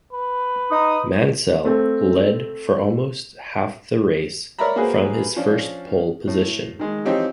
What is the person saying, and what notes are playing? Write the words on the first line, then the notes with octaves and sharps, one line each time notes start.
Mansell led for almost half the race from his first pole position.
B4
D#4 D#6
A3 C4
A#4 C#5 D5 E5 A#5 B5
A#3 F#4 G#4 B4 C5
F3 C#4 D4
A2
D#3 G#3
E3 F3 C4 D#4 G4 C#5